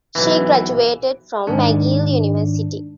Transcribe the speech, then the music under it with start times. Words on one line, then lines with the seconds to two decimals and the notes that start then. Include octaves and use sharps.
She graduated from McGill University.
0.15 B1 E3
1.47 G#2 D#3 D4